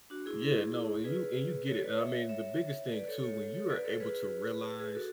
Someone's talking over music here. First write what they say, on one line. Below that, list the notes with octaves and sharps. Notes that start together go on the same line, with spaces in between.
Yeah, no, and you and you get it, and I mean, the biggest thing too, when you are able to realize
D4 F#4
E4 G#4
E4 G#4
G#4 B4
A4 C#5
B4 D5
C#5 E5
C#5 E5
B4 D5
A4 C#5
A4 C#5
A4 C#5
B4 D5
A4 C#5
G#4 B4
G#4 B4
F#4 A4